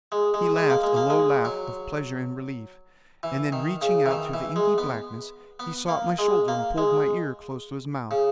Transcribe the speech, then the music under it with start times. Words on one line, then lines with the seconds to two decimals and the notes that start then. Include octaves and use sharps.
He laughed a low laugh of pleasure and relief, and then reaching out through the inky blackness he sought my shoulder and pulled my ear close to his mouth.
0.12 G#3
0.34 G#3
0.56 G#3
0.70 A#3
0.83 G#3
0.96 A#3
1.10 G#3
1.45 F#3
3.23 E3
3.52 D#3
3.82 C#3
4.06 E3
4.11 D#3
4.34 E3
4.56 G#3
4.78 B3
5.60 B3
5.89 A#3
6.19 G#3
6.48 A#3
6.78 G#3
8.11 C#3